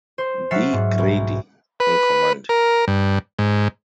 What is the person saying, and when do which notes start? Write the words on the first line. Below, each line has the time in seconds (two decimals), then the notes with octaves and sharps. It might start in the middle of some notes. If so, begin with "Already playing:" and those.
B. Grady in command.
0.18 C5
0.51 F#3 E5 F#5 F6 A6 C7
0.73 G#2
0.99 B1
1.80 B4
2.49 A#4
2.88 G2
3.39 G#2